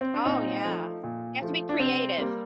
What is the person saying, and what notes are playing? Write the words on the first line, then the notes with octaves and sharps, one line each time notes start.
Oh, yeah, you have to be creative.
C4
D4
A#2 C4 D#4
F3 A3
A#2
F3 A3
D4
C3 C4
G3 A#3